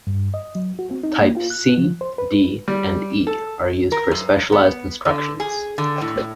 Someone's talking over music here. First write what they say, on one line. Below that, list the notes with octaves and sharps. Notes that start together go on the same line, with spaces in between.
Types C, D and E are used for specialized instructions.
G2
D#5
F#3
F#4
C4
D#4
A#3
F4
F#6
F3
C5
B4
G3
A4
A#4
F#2
B3
D3
G#4
D3
A2